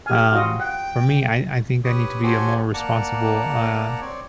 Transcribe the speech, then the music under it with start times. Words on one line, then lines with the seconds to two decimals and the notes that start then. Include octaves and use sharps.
um, for me, I I think I need to be a more responsible, uh,
0.06 G4 G#5 F6
0.32 F4 F#4 D#5
0.60 F#5 G5
1.84 G4 B4 C#5 D#6
2.23 F#4 G4 A4 C5 C#5 G#5
2.74 A#3 D5 F#5 A5 A#5
4.01 C4 C#5 D5